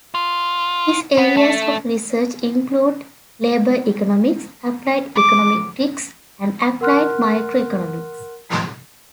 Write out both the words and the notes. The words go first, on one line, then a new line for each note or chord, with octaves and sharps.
His areas of research include labor economics, applied econometrics and applied microeconomics.
F4
B3
A3
D6
A#4 F#5 C6 F6 F#6